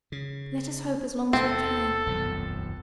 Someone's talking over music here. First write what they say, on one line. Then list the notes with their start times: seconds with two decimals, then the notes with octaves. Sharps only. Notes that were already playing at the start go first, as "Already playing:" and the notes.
'Let us hope as long as we can.
0.12 C#3
1.33 D#2 B2 C4 A4
2.06 D#1 B1 F2